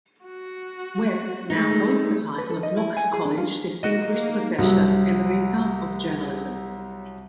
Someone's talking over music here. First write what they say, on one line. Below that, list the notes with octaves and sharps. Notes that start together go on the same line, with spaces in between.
Webb now holds the title of Knox College Distinguished Professor Emerita of Journalism.
F#4
G#3 A3 D#4
B4
A4
D#5
E4
G#5
G#4
D4
F4
A#3 D#4 F#4 D#5
C2 F#3